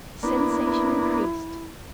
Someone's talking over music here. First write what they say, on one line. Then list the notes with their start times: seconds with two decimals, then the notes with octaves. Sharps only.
The sensation increased.
0.23 A#3 B3 D4 E4